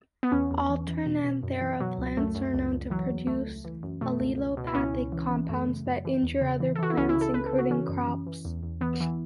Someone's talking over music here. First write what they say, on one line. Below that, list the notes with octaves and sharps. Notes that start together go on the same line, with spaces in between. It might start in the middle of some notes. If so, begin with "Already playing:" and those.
"Alternanthera" plants are known to produce allelopathic compounds that injure other plants, including crops.
B3
E2 C#4
E2
E3
E3
B2
B2
F#2
E3
B2 F#3
C#2
F#2 A3
F#2
C#2
C#2
E3 F#3
E2
C#2 A3
C#2
E3
F#2
B2 A3
C#2
C#2
B2
E4
C#2 C#4
C#2
E3
E3
F#2 A3
C#3
F#2
E3
E2
C#3
E3
A4
E3 F#4
E4
C#2 C#4
E4
C#3
A4
C#2 B4
A4
C#3
F#4
E3 C#4
F#2
E3
E3
E2
E2
E3 B3
E3